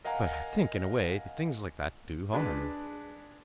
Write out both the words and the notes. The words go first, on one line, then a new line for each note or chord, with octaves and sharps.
But I think, in a way, things like that do harm.
A#4 D#5 F5 F#5 G#5 A#5
G#3 D4 B4